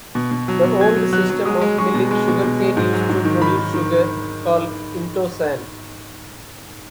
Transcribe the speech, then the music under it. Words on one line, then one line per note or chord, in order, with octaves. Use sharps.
The old system of milling sugar cane used to produce sugar, called "intosan".
B2
B2
F#3
B2
F#3 G#6
F#3
F#3 F#6
F#3
G#3 D#6
G#3
G#3 C#6
B2
G#3
B2
B2
G#3
G#2
F#3
G#2
D#3
D#3 B5
D#3
D#3